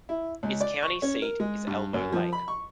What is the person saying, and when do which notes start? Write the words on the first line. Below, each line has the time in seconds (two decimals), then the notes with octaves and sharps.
Its county seat is Elbow Lake.
0.09 E4
0.43 C#2
0.61 D5
0.83 C#6
1.02 C#4
1.22 A#4
1.40 G#3
1.67 G2
1.94 F#2
2.12 F3
2.33 B5
2.48 C#6